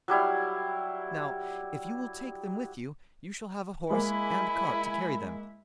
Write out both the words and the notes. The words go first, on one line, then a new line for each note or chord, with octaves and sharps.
Now, if you will take them with you, you shall have a horse and cart to carry them.
F#3 G3 E4 F5
G#3 A#3 E4 G#5 B5